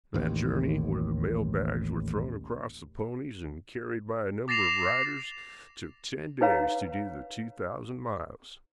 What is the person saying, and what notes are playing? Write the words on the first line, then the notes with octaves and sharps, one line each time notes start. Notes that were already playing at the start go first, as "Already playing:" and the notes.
That journey, where the mail bags were thrown across the ponies and carried by a number of riders, took ten days to do the two thousand miles.
A1 D#2
D6 A6 A#6 C7 E7 F7
D#4 B4 C#5 F5 A#5